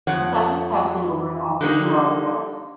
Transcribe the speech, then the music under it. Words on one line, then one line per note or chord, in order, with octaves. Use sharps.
He signed with Towson over an offer from Robert Morris.
F2 F3 C#5 F#5
D3 G3 A#3 D#4